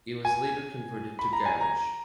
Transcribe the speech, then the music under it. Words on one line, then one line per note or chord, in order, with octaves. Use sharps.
It was later converted to gauge.
G#5
B5
A#5
G#5
A#5